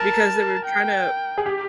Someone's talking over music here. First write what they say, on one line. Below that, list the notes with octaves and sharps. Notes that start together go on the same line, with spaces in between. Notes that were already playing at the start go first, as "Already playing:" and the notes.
because they were tryna
Already playing: A#4 A5
G5
G#4
G4